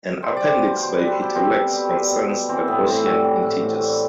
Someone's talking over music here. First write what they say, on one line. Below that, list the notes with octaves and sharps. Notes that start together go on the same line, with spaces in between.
An appendix by Peter Lax concerns the Gaussian integers.
G3 C5
G3 D5
B2 C5
B2 C5
G3 B4
A4
G3 G4
B2 C4
B2
G3
G3
B2
B2
E3 C4
A2 B3
A2 C4
G3 F#4
E3
A2
A2
G3